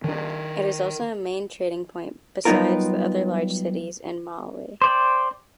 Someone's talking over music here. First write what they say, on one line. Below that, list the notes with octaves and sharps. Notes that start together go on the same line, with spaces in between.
It is also a main trading point besides the other large cities in Malawi.
D#3 D4
F#3 G3 B3 D#4 F4 A#4
C5 D5 G5